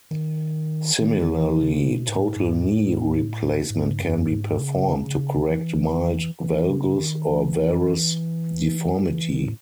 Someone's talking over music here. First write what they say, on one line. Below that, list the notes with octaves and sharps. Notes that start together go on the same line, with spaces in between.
Similarly, total knee replacement can be performed to correct mild valgus or varus deformity.
D#3
D#3
D#3
E3
C#3
B2
G#2
A2
G#2
A2
G#2
F#2
G#2
C#3
E3
E3
C#3
D#3
E3
E3
D#3
A2